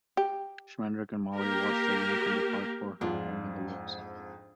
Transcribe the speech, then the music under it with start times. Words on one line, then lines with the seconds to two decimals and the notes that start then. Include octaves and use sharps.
Schmendrick and Molly watch the Unicorn depart for her home in the woods.
0.17 G4
1.36 A#3 G4 A#4
3.01 F2 G#2 D4 F4